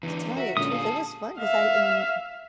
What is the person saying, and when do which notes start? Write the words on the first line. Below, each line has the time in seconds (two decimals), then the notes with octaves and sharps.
to tell you the truth, it was fun cause I n
0.03 E2 D3 E3
0.36 F#4 A#4 E5
0.57 A#2 D3 G#3 C#4 D#6
0.72 G#4 A4 F5
0.84 A5
1.39 E5 F5